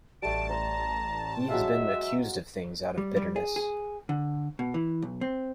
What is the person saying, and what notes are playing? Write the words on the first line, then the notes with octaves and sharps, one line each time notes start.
He has been accused of things out of bitterness.
A1 G3 A3 A5 D7
C5 A#5
F#3 G#3 E5 F5
G3
G3
G#4
G#4
D3
B2
E3
B1
C4